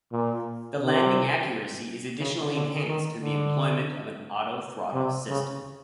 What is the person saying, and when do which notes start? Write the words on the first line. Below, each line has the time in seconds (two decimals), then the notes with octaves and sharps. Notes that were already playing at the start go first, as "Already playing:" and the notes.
The landing accuracy is additionally enhanced through the employment of an autothrottle system.
0.12 A#2
0.81 C3
2.19 C#3
2.53 D3
2.88 D#3
3.22 D3
4.94 C3
5.28 C#3